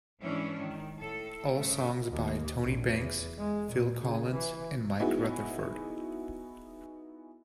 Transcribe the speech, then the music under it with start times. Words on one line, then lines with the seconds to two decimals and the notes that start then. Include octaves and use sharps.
All songs by Tony Banks, Phil Collins, and Mike Rutherford.
0.20 G#2 E3 C#4 D4 E4
0.59 D#3
0.98 A2 A4
1.56 G2 C#3 A3
2.12 D#2
2.61 A#1
2.90 E2
3.38 G#3
3.71 A#2
4.02 C#3
4.31 E3
5.00 B3 D#4 E4 F#4 G#4